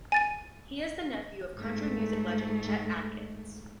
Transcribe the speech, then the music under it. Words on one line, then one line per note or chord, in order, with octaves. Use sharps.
He is the nephew of country music legend Chet Atkins.
G#5 A6 D#7
G#2 A3